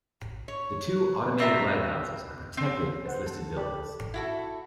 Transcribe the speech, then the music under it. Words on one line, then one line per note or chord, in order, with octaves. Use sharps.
The two automated lighthouses are protected as listed buildings.
C#5
B2 B3 C4 D5 E5 A#5
C4
B4 C5 F#5
A4
G4 D5 B5
E4 F#4 A4